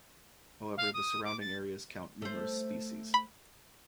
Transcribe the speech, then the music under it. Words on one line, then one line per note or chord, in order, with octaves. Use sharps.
However, the surrounding areas count numerous species.
F5
D#6
D6
A6
A3 C5
B5